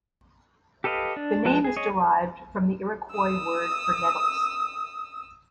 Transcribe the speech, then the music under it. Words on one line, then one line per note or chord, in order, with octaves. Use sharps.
The name is derived from the Iroquois word for nettles.
G4 A4 B4 D#5 F5
D4
F3 G#3 B4 A5
G#4
G#4 C#5 D#5
D#6 E6